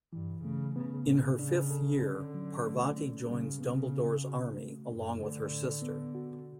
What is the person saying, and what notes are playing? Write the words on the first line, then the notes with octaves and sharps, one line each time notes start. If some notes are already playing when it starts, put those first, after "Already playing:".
In her fifth year, Parvati joins Dumbledore's Army along with her sister.
G2 E3
C#3 A3
C#3 B3
A2 C#3
C#3 D4
A4
D3 C#4
F#3
A3
C#4
C#3 G3
C#3 B3
C#4
F#4
A3
F#2 D4
D3 A3
A2
B3
F#4